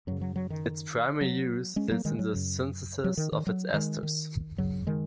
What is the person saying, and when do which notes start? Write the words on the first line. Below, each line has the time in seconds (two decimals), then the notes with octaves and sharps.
Its primary use is in the synthesis of its esters.
0.07 F#2 C#3 F#3
0.21 F#3
0.36 F#3
0.50 D#3
1.21 F#3
1.76 G#3 C#4
1.91 F#3 A#3
2.05 D#3 G#3
2.19 F#3
2.33 F#2 C#3
3.04 F#3
3.17 D#3
3.32 D#3
3.47 F#3
3.74 D#3 G#3
4.03 D#3
4.58 F#2 C#3 F#3
4.87 D#3 G#3